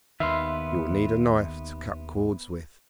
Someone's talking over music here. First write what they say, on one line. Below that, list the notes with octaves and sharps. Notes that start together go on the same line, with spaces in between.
You will need a knife to cut cords with.
D#2 D#3 B3 B4 E5 F5 C6